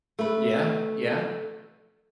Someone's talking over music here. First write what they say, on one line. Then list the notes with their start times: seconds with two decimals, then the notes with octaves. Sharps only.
Yeah, yeah.
0.19 A3 B4